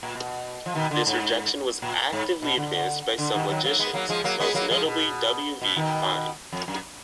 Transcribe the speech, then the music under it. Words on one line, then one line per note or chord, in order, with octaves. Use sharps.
This rejection was actively advanced by some logicians, most notably W. V. Quine.
A#2
B2
F3
B2 D#3
D3
G#2
A#2
G#2
B2
D3
D3
B2 D#3
D#3 F#3
F#3 A#3
G#3 B3
F#3 A#3
F3 G#3
F#3 A#3
G#3 B3
F#3 A#3
F3 G#3
B2
B2
B2 D#3
F2
F#2